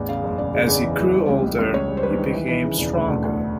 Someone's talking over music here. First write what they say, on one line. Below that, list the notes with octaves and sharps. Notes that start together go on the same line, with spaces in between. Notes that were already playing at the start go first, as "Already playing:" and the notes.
As he grew older he became stronger.
Already playing: A1 E2
C#3 F5
F#1
C#3 D5
C#3
E2
E3
E3
G3
C#2
C#2
C#2
C#2 C#5
G3
C5
G3 B4
D#3
E3
E3
C#3
E1
D2
D2
D2